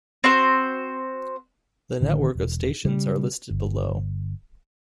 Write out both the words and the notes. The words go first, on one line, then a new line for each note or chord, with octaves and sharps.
The network of stations are listed below.
C4 F#4 C5
A1 D3 D#3
E1
C#3 G3
G1